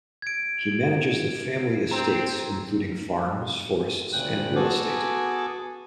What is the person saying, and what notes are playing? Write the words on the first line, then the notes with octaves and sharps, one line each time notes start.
He manages the family estates including farms, forests and real estate.
G#6 D7
C4 A#5
D2 A#2 C#3 G5 F#6
B3 F#4 G#4 A4 G#5 D6